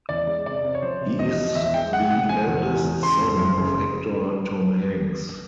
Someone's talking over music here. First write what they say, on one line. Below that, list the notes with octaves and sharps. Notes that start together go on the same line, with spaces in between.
He is the eldest son of actor Tom Hanks.
E2 D5
G#3
C3 D5
C3
C#5
F3 C5
C3
E2 D#5
F3
E2 E5
G#3 G5
G#3 F#5
C3 F#5
F3 G#5
E2
E2
E2
C#3 C6
F2
F#1
C#3